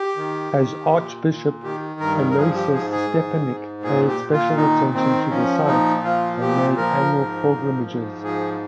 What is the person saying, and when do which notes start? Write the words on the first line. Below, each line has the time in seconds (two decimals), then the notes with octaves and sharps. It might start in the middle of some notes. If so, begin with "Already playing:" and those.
As archbishop, Aloysius Stepinac paid special attention to the site and made annual pilgrimages.
Already playing: G4
0.16 D#3
0.53 D#3
0.91 A#2
1.27 A#2
1.64 D#3 G4
2.00 G2 A#4
2.30 A#4
2.37 F3 G#4
2.55 G4
2.74 G#2 G#4
2.92 G#4
3.10 G#2
3.47 G#2
3.83 A#2 G#4
4.08 G4
4.20 A#2
4.32 F4
4.57 D#3 D#4
4.94 D#3 C4
5.30 F3 C#4
5.67 A#2 D#4
6.03 F3 F4
6.40 A#2 G4
6.77 F3 A#4
7.14 G#2
7.51 F3
7.87 G#2
8.24 F3 G#4